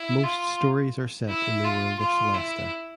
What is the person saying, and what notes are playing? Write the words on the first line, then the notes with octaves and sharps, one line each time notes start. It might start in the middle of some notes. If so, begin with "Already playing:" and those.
Most stories are set in the world of Celesta.
Already playing: E4
F4
E4
F4
F4
E4